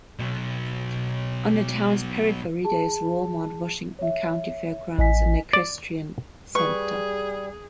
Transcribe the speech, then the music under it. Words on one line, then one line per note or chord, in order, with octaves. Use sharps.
On the town's periphery there is Walmart, Washington County Fair Grounds and Equestrian Center.
B2 F#3
G#4 A5
C#5 E5
A1 D#5 G#5 B6
D5
G3 G#4 B4 C#6